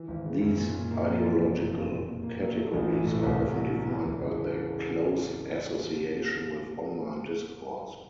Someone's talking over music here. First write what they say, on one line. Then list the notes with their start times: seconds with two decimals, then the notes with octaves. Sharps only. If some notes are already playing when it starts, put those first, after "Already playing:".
These ideological categories are often defined by their close association with online discourse.
Already playing: E3
0.08 G#1
0.25 C#3
0.41 F#2
0.58 A#2
0.75 A#2
0.91 A#3
1.08 F3
1.23 E3
1.41 F1
1.57 C3
1.74 F2
1.90 A#2
2.07 A#2
2.23 A#3
2.40 F#3
2.56 A3
2.73 A1
2.90 E3
3.06 A2
3.23 C2
3.39 C2
3.56 F#3
3.73 B2
3.88 E3
4.05 E1
4.22 C#3